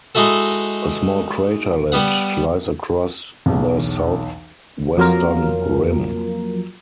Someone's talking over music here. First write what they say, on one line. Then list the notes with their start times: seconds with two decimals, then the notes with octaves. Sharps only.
A small craterlet lies across the southwestern rim.
0.15 G#3 D#4 E4 F#4 A4
1.92 G3 B3 F#5
3.46 B1 E2
4.97 F2 F#3 A#3 F4 A#4